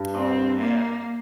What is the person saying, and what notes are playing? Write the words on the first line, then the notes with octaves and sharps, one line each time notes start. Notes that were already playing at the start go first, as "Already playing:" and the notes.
Oh, yeah.
Already playing: G2 G3
C4
A#3